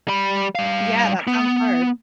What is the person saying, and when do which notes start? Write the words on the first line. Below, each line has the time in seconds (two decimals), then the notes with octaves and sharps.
Yeah, that sounds hard.
0.08 G3 B5
0.55 G3 F5
1.27 B3